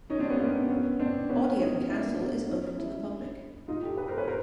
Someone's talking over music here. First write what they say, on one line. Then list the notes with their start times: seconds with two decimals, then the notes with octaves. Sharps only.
Odiham Castle is open to the public.
0.10 C#4 D#4
0.19 C4 D4
0.30 B3 C#4
0.39 A#3 C4
0.59 C4
0.69 B3 C#4
1.00 C4 D4
1.29 B3 C#4
1.59 C#4 D#4
1.88 D4 E4
2.04 A#3
2.18 B3
2.48 C#4 D#4
2.78 D4 E4
3.68 D#4 F4
3.83 G4 A4
3.97 A4 B4
4.08 A#4 C5
4.18 B4 C#5
4.28 A#4 C5